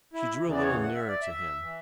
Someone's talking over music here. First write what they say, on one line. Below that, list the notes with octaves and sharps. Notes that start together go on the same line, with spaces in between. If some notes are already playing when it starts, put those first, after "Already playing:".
She drew a little nearer to him.
E4
E2 C#3 E3
D5
C#5
F#5
E5
D5
E5
E3